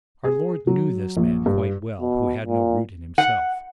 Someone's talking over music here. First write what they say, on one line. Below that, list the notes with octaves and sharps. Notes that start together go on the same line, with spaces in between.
Our Lord knew this man quite well who had no root in himself.
G#4
F#3
A#1
G2
B2
A#2
F#5